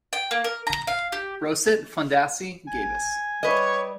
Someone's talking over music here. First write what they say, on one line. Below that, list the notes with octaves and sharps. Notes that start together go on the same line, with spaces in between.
Brosset, Fondacci, Gabus.
G5
A#3
A#4
A#5
F5
G4
G#5
G3 B4 C#5 D#5